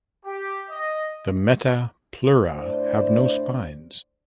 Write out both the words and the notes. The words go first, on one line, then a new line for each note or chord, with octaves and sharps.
The meta pleura have no spines.
G4
D#5
A2 D4 C5 D5